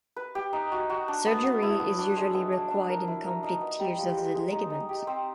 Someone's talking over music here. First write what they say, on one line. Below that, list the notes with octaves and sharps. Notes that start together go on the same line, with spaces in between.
Surgery is usually required in complete tears of the ligament.
B4
G4
D#4
F#4
F#4
D4
B3
B3
E4
B3
D4
G#3
B3
D4
D4
A#4
E4
A#4
D#4
B3
G3
F3
G#3
G#3
D#4
D#4
G4
C4